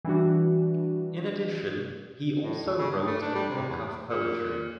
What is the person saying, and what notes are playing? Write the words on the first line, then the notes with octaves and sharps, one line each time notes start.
In addition, he also wrote a book of poetry.
E3 G3 D4 F#4
A2
D#2
C#3
G2
A3
D4
G3
C3
E2
A#2